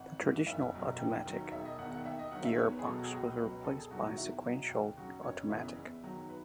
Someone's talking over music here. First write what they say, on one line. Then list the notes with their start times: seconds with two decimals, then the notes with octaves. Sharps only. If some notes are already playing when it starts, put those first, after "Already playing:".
The traditional automatic gearbox was replaced by a sequential automatic.
Already playing: G#1 F#5
0.20 G#2 E3
0.47 F#1 E5
0.72 E2 B2 F#3
0.99 D#2
1.26 D#3 F#3
1.52 E1 E5
1.65 D#5
1.78 E2 D#3 F#5
1.92 F#5
2.05 D#2 E5
2.19 D#5
2.31 D#3 F#3 F#5
2.45 E5
2.58 E2 C#5
2.72 B4
2.79 G#4
2.84 B2 F#3 A4
2.98 F#4
3.04 G#4
3.12 C#2 F#4
3.38 B2 F#3 B4
3.64 E1 A4
3.78 G#4
3.91 E2 D#3 F#3 F#4
4.05 F#4
4.17 E2 E4
4.44 B2 F#3
4.70 D#2
4.97 C#3 F#3 F#4
5.23 F#1 C#5
5.50 E2 C#3 E3 E5
5.76 E2
6.03 D#3 F#3
6.29 B4